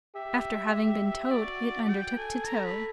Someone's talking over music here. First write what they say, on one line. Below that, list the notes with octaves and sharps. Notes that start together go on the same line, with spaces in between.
After having been towed, it undertook to tow.
G4 E5
G4
F#4 D5
G5
A4 G#5
A#5
B5